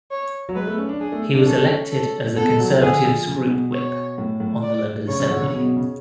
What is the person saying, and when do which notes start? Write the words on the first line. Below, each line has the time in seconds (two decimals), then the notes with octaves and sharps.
He was elected as the Conservative's Group Whip on the London Assembly.
0.11 C#5
0.49 F#3
0.56 G#3 B4
0.67 A3
0.78 C#4
0.89 D4
1.00 D4 G#4
1.12 A3
1.35 D4
1.46 C#4 A4
1.92 A4
2.37 B3 A4
2.48 G#3
2.59 F#3
2.71 F3
2.82 D3 G#4
3.05 F3
3.27 C#3
3.50 B2
3.73 C#5
4.18 A2
4.40 A2
4.63 D5
5.08 C#3 C#5
5.20 C#3
5.27 F3
5.31 D3
5.43 C#3
5.54 B2
5.65 B2
5.76 C#3